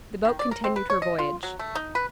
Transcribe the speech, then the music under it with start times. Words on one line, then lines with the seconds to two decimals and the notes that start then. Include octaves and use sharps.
The boat continued her voyage.
0.25 D#3
0.39 D5
0.51 A#4
0.64 C4
0.76 B4
0.90 C#5
1.02 D#5
1.19 F4
1.43 F#3
1.59 A3
1.75 D#4
1.95 B4